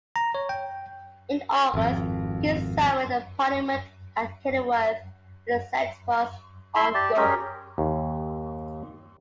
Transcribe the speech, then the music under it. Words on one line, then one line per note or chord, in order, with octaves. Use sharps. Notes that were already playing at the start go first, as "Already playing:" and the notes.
In August, the king summoned a parliament at Kenilworth, where the siege was ongoing.
A#5
C#5
G5
G#1 F2
E4 E5 B5 C6
G4 D5 A5
C#4 G4 G#4 A#4
D#2